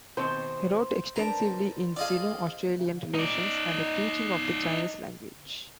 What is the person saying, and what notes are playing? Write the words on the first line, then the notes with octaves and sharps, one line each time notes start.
He wrote extensively on Sino-Australian relations and the teaching of the Chinese language.
B2 D#3 C4 C5
D4 A#4 B4 A#5
F4 G#4 D5 D#5 F5
D#4 D5